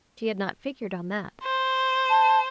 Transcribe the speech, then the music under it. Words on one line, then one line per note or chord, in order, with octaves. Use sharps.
She had not figured on that!
C5
A5